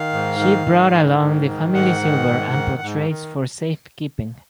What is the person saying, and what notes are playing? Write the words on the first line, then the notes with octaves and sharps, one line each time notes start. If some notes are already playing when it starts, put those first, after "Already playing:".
She brought along the family silver and portraits for safekeeping.
Already playing: D#3 F5
G#2
D#3
G#2
D#3
G#2
D#3
G#2 F#5
D#3
G#2
D#3
G#2
D#3